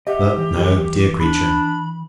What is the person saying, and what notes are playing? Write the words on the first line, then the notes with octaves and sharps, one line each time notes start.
But no, dear creature!
G4 D#5 E5 F#5
E3
D4 B5